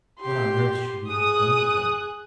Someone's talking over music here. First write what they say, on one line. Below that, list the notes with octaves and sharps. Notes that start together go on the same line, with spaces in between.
"What on earth should we have done with him?"
G4 C6
G#4 D#6 F#6